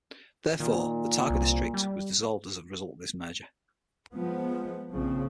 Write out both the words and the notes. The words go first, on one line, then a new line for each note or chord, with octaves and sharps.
Therefore, the Taga District was dissolved as a result of this merger.
A#2 D#3
C2
G3
F3 G#3 B3
A#1 C#3 F3 C4